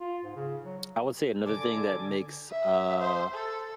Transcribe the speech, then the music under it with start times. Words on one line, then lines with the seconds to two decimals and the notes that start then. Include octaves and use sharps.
I would say another thing that makes, uh,
0.01 F4
0.24 G#2
0.36 C#3
0.64 F#3
1.45 D3 A4 D5 G#5 D6
2.50 E5
3.02 C5
3.34 A4